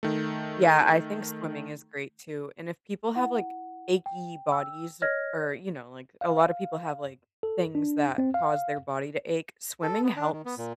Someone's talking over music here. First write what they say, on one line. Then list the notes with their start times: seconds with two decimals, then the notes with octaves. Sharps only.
Yeah, I think swimming is great too, and if people have, like, achy bodies or or, you know, like, a lot of people have, like, things that cause their body to ache swimming helps
0.03 D#3 A3
3.16 E4 F#5
4.06 G5
4.49 G5 E6
5.02 C#5 D#5 F6 G#6 A#6
6.21 F5
7.43 A4
7.75 D4
8.18 C4
8.34 F5
9.82 A4
10.03 B3
10.16 D4
10.32 D#3
10.45 B3
10.58 A#2